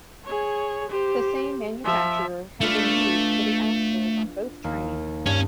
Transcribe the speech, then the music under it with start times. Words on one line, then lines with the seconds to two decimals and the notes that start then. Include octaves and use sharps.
The same manufacturer had been used for the axles on both trains.
0.24 G#4 C#5
0.89 G4 C5
1.84 F3 E5
2.61 A3 D4 F4 B4
4.64 D#2 A#3
5.26 G2 C#4